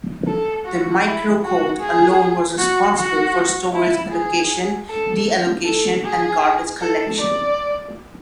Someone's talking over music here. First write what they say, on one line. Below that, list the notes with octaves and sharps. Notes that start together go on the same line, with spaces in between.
The microcode alone was responsible for storage allocation, deallocation and garbage collection.
A4
F#4
E4
F#4
G#4
F#4
F#4
E4
G#4
A4
A4
G#4
A4
D5